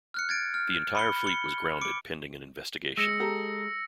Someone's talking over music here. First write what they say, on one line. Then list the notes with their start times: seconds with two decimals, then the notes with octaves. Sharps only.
The entire fleet was grounded pending an investigation.
0.14 F6 F#6 C#7
0.29 G#6 A6 D7
0.54 F6
0.95 B5 C#7 G7
1.24 C#7 G7
1.81 D6 C#7 D7
2.97 G#3 E6 A#6 C#7
3.20 G4 A4 A#5